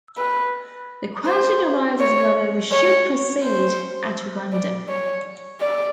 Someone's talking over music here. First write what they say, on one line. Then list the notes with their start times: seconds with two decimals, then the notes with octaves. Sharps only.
The question arises whether we should proceed at random.
0.18 B4
1.27 C5
2.00 C#5
2.72 C#5
3.44 C5
4.53 D5
4.89 C#5
5.61 D5